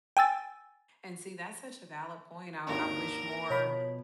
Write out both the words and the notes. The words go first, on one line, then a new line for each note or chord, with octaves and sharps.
And see, that's such a valid point, and I I wish more
G5 G#5 E6 A6
G#1 D#2 D4 A#4
B2 F3 C#5 B5